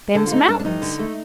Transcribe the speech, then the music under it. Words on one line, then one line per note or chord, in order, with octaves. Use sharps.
"Them's mountains."
D3 A4
F4
A3 D#4
G2 D4
D4
G2 D#4
D3
A3